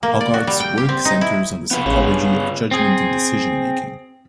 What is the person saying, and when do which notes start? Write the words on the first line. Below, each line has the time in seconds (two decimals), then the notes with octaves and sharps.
Hogarth’s work centers on the psychology of judgment and decision making.
0.03 A#3
0.21 D5
0.34 F#4
0.47 G3
0.60 G5
0.78 G4
0.89 C4
1.05 D#4
1.21 E4
1.71 B3 F4 B4
1.86 A1 C#3
2.08 G2
2.71 C4 G#4